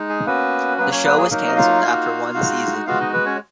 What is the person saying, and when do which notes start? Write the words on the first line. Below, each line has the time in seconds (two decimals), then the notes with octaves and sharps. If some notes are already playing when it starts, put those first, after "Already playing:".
The show was canceled after one season.
Already playing: G#3 D#4
0.09 G#4
0.26 A#3 B3 C#4 F#4 B4
0.78 F#3 A#3 B3 C#4 B4
0.92 C#4 C#5
1.05 B3 B4
1.18 G#4
1.31 F#3 A#3 D#4 A#4
1.48 D#5
1.56 F4 F5
1.82 A#3 D#4 F#4
2.34 G#3 D#4 F#4
2.87 G#3 B3 F4 F#4 F5
3.00 D#4 D#5
3.13 B3 B4
3.26 C#4 C#5